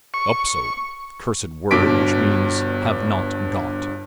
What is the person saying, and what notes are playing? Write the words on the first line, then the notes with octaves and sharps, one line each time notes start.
"Upso," cursed word, which means "Have not got."
C#6
G1 G2 B2 D6 B6 D7